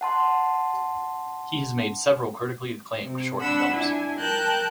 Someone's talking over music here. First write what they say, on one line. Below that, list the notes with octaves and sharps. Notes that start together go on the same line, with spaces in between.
He has made several critically acclaimed short films.
F#5 A5 C6
C3
D4 F#5 B5 E6
D4 E4 G#5
A#4 G5 A5 F#6 G6